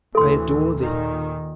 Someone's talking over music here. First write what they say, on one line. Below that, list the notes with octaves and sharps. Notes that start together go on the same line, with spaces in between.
I adore thee!
D2 A2 E3 A4 C6
D#2 A#2 D#3